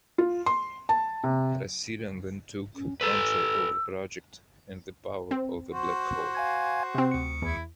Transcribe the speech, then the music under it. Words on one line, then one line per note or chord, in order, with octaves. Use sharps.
Rassilon then took control of the project, and the power of the black hole.
F4
C6
A5
C3
C#4
A4 B4 E6
C4
F#4 C5
F5 G#5 G#6
C3 C4
D2 C#7
E2 E4